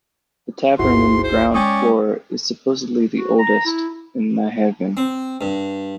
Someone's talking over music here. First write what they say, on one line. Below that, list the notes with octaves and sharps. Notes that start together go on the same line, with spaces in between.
The tavern in the ground floor is supposedly the oldest in Nyhavn.
G1 C#2 G#2 E4 F#4 C6
C5
G#3 A#3 C#4 D5 G5 C#6 D#6
F#4
A#5
E4
C4
G2